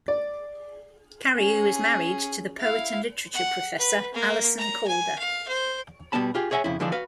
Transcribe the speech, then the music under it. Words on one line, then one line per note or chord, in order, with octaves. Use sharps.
Cariou is married to the poet and literature professor Alison Calder.
D5
C#4 G#4
E4 F5
F#5
B4
A#3
A#5
G#5
F5
C5
B2 G3 A#3 B3 A5 B5
F4 G4 G#4
G#4 C#5 E5 F#5 G#5
F2 C#3 E4
D3 E3 F3 G#3 D4
F#4 B4 F5